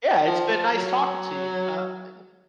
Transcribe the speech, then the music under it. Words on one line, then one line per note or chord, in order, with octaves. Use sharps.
Yeah, it's been nice talking to you. Uh, eh
F3
F#3